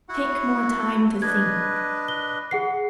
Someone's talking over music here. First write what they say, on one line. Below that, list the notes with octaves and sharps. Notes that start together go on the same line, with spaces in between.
Take more time to think.
E4 F#4 F#5
D4 B4 D#5 G#6
G7
G#4 F#5 C7